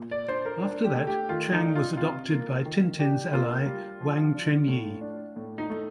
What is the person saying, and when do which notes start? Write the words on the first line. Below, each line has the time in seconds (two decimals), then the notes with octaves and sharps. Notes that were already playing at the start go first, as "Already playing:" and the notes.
After that Chang was adopted by Tintin's ally Wang Chen-Yee.
Already playing: A#2
0.11 D5
0.28 D4 C5
0.45 A#4
0.62 D4
0.84 G4
0.96 A3
1.07 G4
1.29 D#3 F4
1.53 D#4
1.63 D4
1.75 F4
1.97 C3 F4
2.31 A#3
2.65 D#3
2.99 D4 G4
3.32 A#3 F4
3.66 G3
4.01 F3
4.35 D4
4.68 A2
5.01 D4
5.36 A2
5.58 D#4
5.70 A3